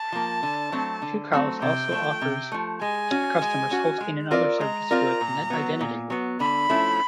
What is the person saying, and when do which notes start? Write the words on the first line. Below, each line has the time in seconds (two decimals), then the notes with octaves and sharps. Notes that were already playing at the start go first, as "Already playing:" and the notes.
Tucows also offers customers hosting and other services with NetIdentity.
Already playing: A5
0.12 F3 A#3
0.43 D3
0.72 F#3 A3 C4
1.02 D3
1.32 F#3 A3 C4
1.62 C3 G5
1.91 F3 A3
2.22 C3
2.52 F3 A3
2.81 G#3 G#5
3.11 C#4 F#4
3.42 G#3
3.71 C#4 F#4
4.01 G#3
4.31 C4 F4 A#4 D5
4.61 G#3 A#5
4.91 C4 F4 A#4 D5
5.21 A#2
5.50 F#3 B3
5.81 A#2
6.10 F#3 B3
6.40 D3 B5
6.69 F3 A3 C#4 E4